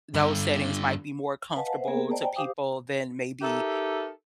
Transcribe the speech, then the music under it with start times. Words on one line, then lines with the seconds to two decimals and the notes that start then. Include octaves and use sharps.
those settings might be more comfortable to people than maybe
0.14 G2 D3
1.56 B4 D#5 F5 F#5 G#5 A5
1.72 B4 C5 E5 F#5
1.87 A#3 B3 G#4 A#4
2.10 C5 D5 D#5 G5 A5 A#5
2.22 G5 G#5
2.36 G4 C5 F5 D6 D#6
3.42 D#4 G4 A4 A#4 E5